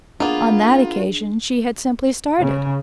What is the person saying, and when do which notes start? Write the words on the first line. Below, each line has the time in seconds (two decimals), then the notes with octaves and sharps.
On that occasion she had simply started.
0.20 A#3 B3 D4 F4 G#4
2.40 C#3